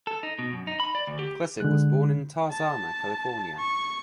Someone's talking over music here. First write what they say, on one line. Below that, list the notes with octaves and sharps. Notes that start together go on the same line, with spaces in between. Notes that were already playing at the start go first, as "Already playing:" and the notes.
Klesic was born in Tarzana, California.
A4
D#4
B2
F#2
D#4
B5
D5
D2
G4
D3 G#3 F#6
A5
C#6